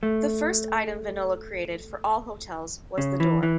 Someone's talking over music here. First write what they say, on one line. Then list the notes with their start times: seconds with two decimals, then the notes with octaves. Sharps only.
The first item Venola created for all hotels was the door.
0.03 A3
2.98 C#3
3.20 E3
3.43 E3